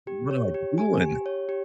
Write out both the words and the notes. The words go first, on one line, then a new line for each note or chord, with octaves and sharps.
"What am I doing?"
G4
C#5
G4
G#5
G4
C#5
G4